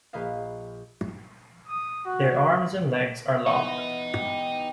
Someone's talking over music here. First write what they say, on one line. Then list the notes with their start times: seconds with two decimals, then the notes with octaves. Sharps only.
Their arms and legs are long.
0.13 A#1 A#3 B4 D#5 F5
1.68 D#6
2.05 F#4
3.46 E3 B3 D#4 D#5
4.15 G4